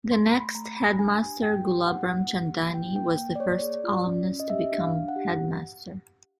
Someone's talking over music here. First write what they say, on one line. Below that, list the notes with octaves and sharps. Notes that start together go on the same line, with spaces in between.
The next headmaster, Gulab Ramchandani, was the first alumnus to become headmaster.
A3 C6
A3 B5
B5
A3 A#5
A3 B5
D4 G#5
G4
G4 G5
G4
D#4 F#5
A#3
G4
A#3
E4 G5
A#3 G5
A#3
D5
A#3 C#5
G#4 D5
F4
C#4
C#4
D#5
G4 E5
D4
F5
D4
F#5
G4